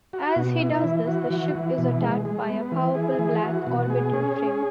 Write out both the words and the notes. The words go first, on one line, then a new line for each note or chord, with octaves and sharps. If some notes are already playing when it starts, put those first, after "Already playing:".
As he does this, the ship is attacked by a powerful black Orbital Frame.
F#4
B2
E4
E3
F#4
E3
E3
B2
G#3
G#3
B3
E3
G#4
E3
F#4
B2
G#4
C#4
G#4